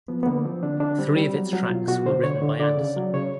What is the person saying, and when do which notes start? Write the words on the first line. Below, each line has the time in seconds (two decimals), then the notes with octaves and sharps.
Three of its tracks were written by Anderson.
0.08 F3 B3
0.23 B3
0.26 D3 A#3
0.45 F3 C4
0.63 D3 D4
0.80 D3 D4
0.99 G3 C4
1.16 G3
1.35 F#3
1.53 F#3
1.70 B2 F4
1.87 B2 F#4
2.06 D3 C5
2.24 D3 C#5
2.42 D3
2.59 D3 D5
2.77 C#3
2.96 F#3
3.14 C#3 C#5